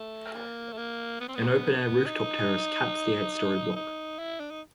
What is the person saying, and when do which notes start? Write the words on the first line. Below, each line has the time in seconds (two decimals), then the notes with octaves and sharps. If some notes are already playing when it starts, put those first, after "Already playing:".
An open-air rooftop terrace caps the eight-story block.
Already playing: A3
0.35 A#3
0.73 A3
0.78 A#3
1.20 B3
1.28 C4
1.36 B3
2.06 D#4
3.76 D#4
4.19 E4
4.40 D4
4.51 D#4